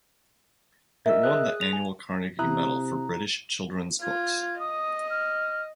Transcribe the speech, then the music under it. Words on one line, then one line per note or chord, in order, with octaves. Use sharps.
It won the annual Carnegie Medal for British children's books.
A#4 D#5 E5 E6
G#4 D#6 F#6
F7
G#5
C3 E4 A#5 D#6 F#6
F4 G#6
D#5 D#6
F6